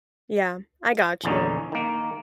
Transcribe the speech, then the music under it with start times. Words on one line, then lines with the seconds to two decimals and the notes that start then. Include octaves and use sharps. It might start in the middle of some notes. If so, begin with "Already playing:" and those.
Yeah. I got you.
1.24 A#1 E2 D3 C#4 D#4
1.72 D#3 A#3